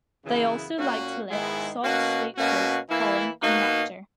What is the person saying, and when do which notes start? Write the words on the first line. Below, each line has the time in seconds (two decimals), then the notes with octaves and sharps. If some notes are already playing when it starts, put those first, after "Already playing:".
They also like to lick soft, sweet fruit, pollen and nectar.
0.24 F#2 C#3 E3 B3 E4
0.77 A#2 A#3 C#4 F#4
1.30 G#2 D#3 G#3 B3 E4
1.83 B2 A#3 C#4 F#4
2.36 B2 A#3 C#4 F#4
2.88 E3 A#3 E4
3.41 B2 A#3 D#4 F#4